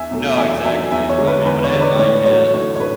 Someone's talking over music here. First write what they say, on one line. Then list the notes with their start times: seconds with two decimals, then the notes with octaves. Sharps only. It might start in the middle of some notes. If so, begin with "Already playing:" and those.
No, exactly. I mean, when I had my cat,
Already playing: E2 E5 G#5
0.11 B2 F#3 A3
0.37 E2 E5 G#5
0.65 B2 F#3 A3 E5 G#5
0.91 E2 E5 G#5
1.09 C#5
1.18 D3 G#3
1.27 B4
1.45 E2 B4
1.64 C#5
1.73 D3 G#3
1.81 B4 D5
1.99 A2 C#5
2.26 F#3 A3 C#5
2.54 A2 C#5
2.76 C#5
2.80 A3 B4